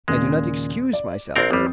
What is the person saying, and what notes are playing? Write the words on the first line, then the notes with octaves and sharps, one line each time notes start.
I do not excuse myself.
D#2 A#2 C#3 G#3
D5
A#1 C4 A#4 G6 A6 C7
A1 F2 G3 C4 D#6